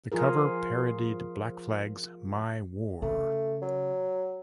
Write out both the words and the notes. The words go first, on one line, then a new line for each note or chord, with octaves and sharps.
The cover parodied Black Flag's "My War".
F3 F4 G#4 A#4
C#3 A3
F#3